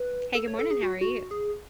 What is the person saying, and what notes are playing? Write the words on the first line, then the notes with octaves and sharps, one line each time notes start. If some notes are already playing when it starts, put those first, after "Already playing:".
Hey, good morning, how are you?
Already playing: B4
A4
C#5
A4
G#4
F#4
F#4
G#4